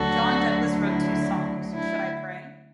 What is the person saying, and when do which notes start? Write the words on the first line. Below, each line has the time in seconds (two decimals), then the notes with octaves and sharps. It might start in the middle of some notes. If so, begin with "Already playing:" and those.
John Douglas wrote two songs, Should I Pray?
Already playing: D2 D3 F#3 F#4 A4
0.80 E4
1.73 E4